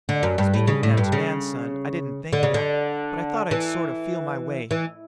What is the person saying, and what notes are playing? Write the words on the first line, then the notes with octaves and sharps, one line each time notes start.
"Speakin' man to man, son, I didn't think that, but I thought I'd sort of feel my way."
D3
F#2
G2
A2
C#3
A2
G2
C#3
D3
C#3
D3
E3
E3